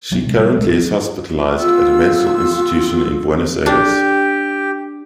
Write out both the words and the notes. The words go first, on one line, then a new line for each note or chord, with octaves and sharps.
She currently is hospitalized at a mental institution in Buenos Aires.
B1 F#3 A#3 B3
C3 F#3 G#3
G3
A#1 G#3 A3
F3
G3 B3 F4 E6
D4 G4